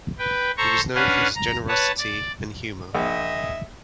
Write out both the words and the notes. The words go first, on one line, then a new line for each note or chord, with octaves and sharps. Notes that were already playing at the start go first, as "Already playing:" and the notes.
He was known for his generosity and humor.
B4 G5
A4 C5 A#5 C#6
C#4 D4 B4 F5 F#5 G#5
A#5
B4 C#5 F#5 A5
D5
A#1 D#5 E5